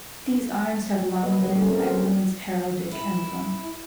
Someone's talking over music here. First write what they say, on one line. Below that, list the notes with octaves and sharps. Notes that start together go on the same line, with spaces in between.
These arms have long been Ireland's heraldic emblem.
A#3 B4 D#5
C#3 G3 A#3
A3 C#4 F4
C4 A#4
G#4 C5
E4